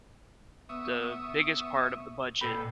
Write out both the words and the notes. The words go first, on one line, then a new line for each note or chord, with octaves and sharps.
the biggest part of the budget
B3 E5 C#6 D#6
A#2 A4 B4 G5 B5